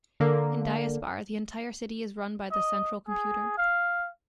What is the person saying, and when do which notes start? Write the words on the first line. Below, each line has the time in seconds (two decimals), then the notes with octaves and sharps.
In Diaspar, the entire city is run by the Central Computer.
0.20 D3 A#3
2.52 D#5
3.08 G#4
3.58 F5